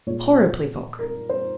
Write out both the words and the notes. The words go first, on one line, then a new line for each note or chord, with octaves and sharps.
Horribly vulgar!
A#2 G#3 C#5
A#4
C5